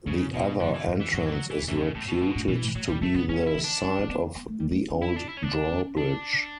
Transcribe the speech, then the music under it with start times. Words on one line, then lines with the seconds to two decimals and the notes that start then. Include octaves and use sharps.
The other entrance is reputed to be the site of the old drawbridge.
0.06 F#2 C#3
0.33 E2 B2
0.60 F#2 D3
0.74 E3
0.87 G2
1.01 E3
1.13 G2 F#3
1.26 E3
1.32 F#3
1.50 E3
1.62 E2
1.68 F#2 E3
1.76 D3
1.81 C#3
1.94 E2 A2
2.08 B2
2.15 A2
2.21 F#2 B2
2.35 A2
2.48 B2 E3
2.62 A2
2.75 A2 F#3
2.88 B2 G3
3.01 C#3 A3
3.15 C#3 B3
3.29 B3 C#4
3.46 E4
3.55 E3
3.64 D4
3.83 C#4
3.99 C#4
4.09 B3
4.36 B3
4.48 A3
4.60 G3
4.71 A3
4.90 C#4
5.02 E4
5.17 D4
5.29 E4
5.37 C#4
5.43 B3 D4
5.70 C#4
5.97 D4